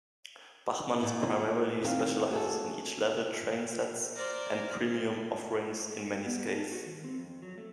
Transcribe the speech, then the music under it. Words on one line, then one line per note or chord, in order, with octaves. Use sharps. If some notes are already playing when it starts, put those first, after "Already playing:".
Bachmann primarily specializes in entry level train sets, and premium offerings in many scales.
A#2 E4
D#3 C4 G#4 F5
F#4 G#4 A4
A#4 C5 D5
B3
A5
F#4
D#3
C4
F2
F#3
A3